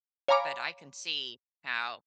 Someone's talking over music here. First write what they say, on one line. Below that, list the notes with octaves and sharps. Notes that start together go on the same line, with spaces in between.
But I can see how
C#5 F5 G#5 A#5 B5 D6